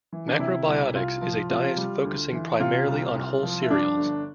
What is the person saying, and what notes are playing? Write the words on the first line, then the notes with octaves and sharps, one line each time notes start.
Macrobiotics is a diet focusing primarily on whole cereals.
E3
D4
C3 E4
C2
C2 F4
F3
C3 F4
G3
D2
E3
C3 F4
C2
C2
F3
E4
G2 D4
G1